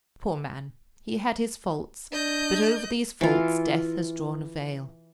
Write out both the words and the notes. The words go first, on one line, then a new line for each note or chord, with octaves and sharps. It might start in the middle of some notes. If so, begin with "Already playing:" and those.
Poor man; he had his faults, but over these faults death has drawn a veil.
D4 D#5 G6
E3 F4